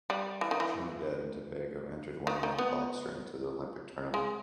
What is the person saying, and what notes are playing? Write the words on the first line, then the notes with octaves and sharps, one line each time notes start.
Trinidad and Tobago entered one male boxer into the Olympic tournament.
G3
E3
D#3
E3
D#3
D#3
B3
G#3